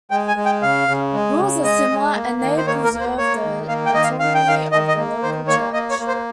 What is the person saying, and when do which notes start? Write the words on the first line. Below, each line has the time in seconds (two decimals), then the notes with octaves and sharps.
Rules are similar and they preserve the autonomy of the local church.
0.11 G#3 G5
0.28 G#5
0.36 G#3
0.46 G5
0.61 C#3 F5
0.88 C#3
1.13 G#3
1.39 C#3
1.64 G#3 D#5
1.90 G#3
2.15 A#3
2.42 D#3
2.57 C5
2.67 A#3 C#5
2.84 A#4
2.93 A#3
3.00 C5
3.18 A#3 C#5
3.44 D#3
3.68 A#3 F5
3.86 G5
3.94 D#3 D#5
4.03 F5
4.20 D#3 F5
4.35 G5
4.46 D#3 F5
4.72 D#3 D#5
4.88 D#5
4.97 A#3
5.23 D#3 C5
5.48 A#3 C#5
5.73 A#3 D#5
5.90 C#5
5.99 A#3
6.08 C5